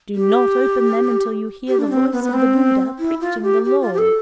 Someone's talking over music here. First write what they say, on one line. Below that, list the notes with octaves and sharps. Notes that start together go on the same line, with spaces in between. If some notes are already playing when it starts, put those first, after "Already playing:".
Do not open them until you hear the voice of the Buddha preaching the Law.
G4
G4
D4
C4
B3
B3
C4
E4
F4
G4
G4
F4
G4
A4